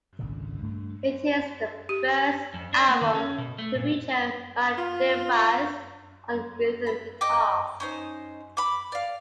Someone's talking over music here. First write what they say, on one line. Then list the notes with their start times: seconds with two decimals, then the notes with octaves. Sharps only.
It is the first album to feature Matt DeVries on rhythm guitar.
0.19 G#1 C#2 A#2 D3
0.62 G2 A3 C#4 D4
1.89 G4
2.54 F2
2.73 D4
2.88 A#3
3.01 D#3
3.15 C#4
3.38 B2
3.58 A3
3.75 A#2
4.78 F4
6.87 B5
7.21 D#5 G5 D6
7.80 C#4 D#4 C5
8.57 B5 D6
8.92 D5 F5